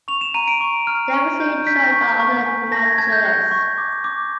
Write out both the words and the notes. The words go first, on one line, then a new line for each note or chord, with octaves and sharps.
They were soon joined by other naturalists.
C#6 F7
E7
A#5 D#7
D7
C#6
F6
C#6
G6
G6 B6
C#6
C#6
G#5
A5 A#6
G#6
A5 G#6
G6
F#6
C#6
D6
D6